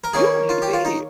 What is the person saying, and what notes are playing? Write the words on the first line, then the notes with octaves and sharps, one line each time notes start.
you don't need to be here.
A#4
D#3 A#3 C#4 G#4
F4
G4
F4
D#4